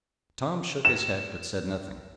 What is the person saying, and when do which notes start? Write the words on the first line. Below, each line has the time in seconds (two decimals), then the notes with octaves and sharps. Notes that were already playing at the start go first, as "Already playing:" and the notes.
Tom shook his head, but said nothing.
0.85 E7